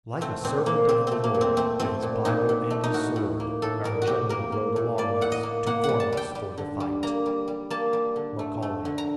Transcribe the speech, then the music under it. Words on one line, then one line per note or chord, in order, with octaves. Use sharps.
Like a servant of the Lord, with his bible and his sword, Our general rode along us, to form us for the fight. --Macaulay.
A3 C4
A#2 C4
A#2 A#3
A#2 C4
A3 C4
A#3
A#2
C4
A3 C4
A3 C4
A#2
A#2 D#4
A#2
A3
D#4
A2 F#4
A2
A#3
A2 A4
G3 A#4
F#4
A2 G4
A#3 A#4
A#3
A2
A#3 D5
A2 F#5
D#5
A#3
A#3 F#5
G3 F#5
A5
G3 G5
G3
D3
G3
A#3 A#5
G3
G3
A#3 A5
G3
D3
A3
A3
D3
A#5